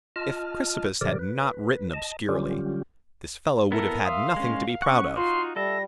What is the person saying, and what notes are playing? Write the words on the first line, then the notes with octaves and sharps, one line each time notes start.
If Chrysippus had not written obscurely, this fellow would have had nothing to be proud of.
F4 D#5 A5 F6
A#2 D3 F3 G4 A#4 D5
B4
D#5 A5
D3 F#3 G3 C#4 F4 G4
B3 E4 A4 A#4
E5 F5 C6 D#6
G#3 C#4
C#4 F#5 C#6
D#4 F4 F#4 F5 C6
G3 A4 E5 A#6